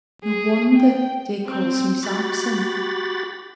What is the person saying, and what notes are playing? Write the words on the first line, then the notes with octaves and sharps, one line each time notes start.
No wonder day calls me Sampson.
G#4
G5
C4
F#4 G4 B5 A6